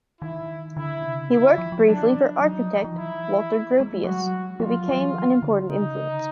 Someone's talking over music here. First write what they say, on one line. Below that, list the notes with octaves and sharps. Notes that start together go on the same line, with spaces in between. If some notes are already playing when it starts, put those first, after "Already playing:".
He worked briefly for architect Walter Gropius, who became an important influence.
D#3 E4
D3 E4
C3
C#3
D3 E4
F3
F3
F#3 D4
E3
F3
F#3 D#4
F3
F3
E3 E4
G#3
G3
F#3 F#4
F3 F4
F#3
F3
F#3
F3
F#3
F3
D#3
D3
C#3 D#4